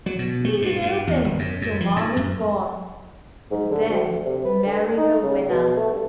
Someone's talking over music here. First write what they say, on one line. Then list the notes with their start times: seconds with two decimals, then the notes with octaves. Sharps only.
Leave it open till Marmy's gone, and then marry the winnah?'
0.06 F#3
0.19 B2
0.45 A3
0.62 G2
0.81 G2
1.07 E2
1.24 G1
1.39 F#2
1.62 F#2
1.80 F3
1.96 G#2
2.17 F#2
3.51 G#2
3.71 D3
3.89 D2
4.26 C3
4.45 B4
4.66 D3
4.97 D#4
5.22 C#3
5.49 B2
5.77 A3
5.94 G2